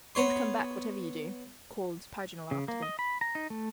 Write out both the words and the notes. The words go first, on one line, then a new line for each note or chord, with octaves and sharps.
"Don't come back whatever you do," called Paganel after them.
B3 C#5 C6
C#3
A#3
D#5
B5
A#5
D#4
A3